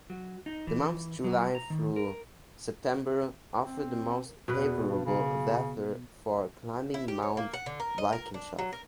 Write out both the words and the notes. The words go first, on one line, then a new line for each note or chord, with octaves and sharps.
The months July through September offer the most favorable weather for climbing Mount Walkinshaw.
F#3
D#4
E3
F#3
A#5
D#3
A#4
C4
E2 B2 B4
G2
C#3
E4
G4
C#5
A#3
F#5
D3
A#4
D#5
A#4
D4
F#3
A#4